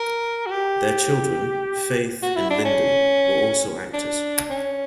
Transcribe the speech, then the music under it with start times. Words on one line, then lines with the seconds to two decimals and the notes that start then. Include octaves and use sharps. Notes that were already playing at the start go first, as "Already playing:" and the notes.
Their children, Faith and Lyndon, were also actors.
Already playing: A#4
0.46 F#4
0.51 G4
2.22 F#4
2.36 E4
2.50 D4
2.65 C#4
3.93 D4
4.50 C#4